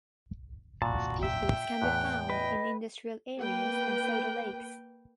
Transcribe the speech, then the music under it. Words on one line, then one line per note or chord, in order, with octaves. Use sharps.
Species can be found in industrial areas and soda lakes.
A#2 F#4 A5
E5 G5
E2 A2 F#6
B4 D#5
A#3 B4 G5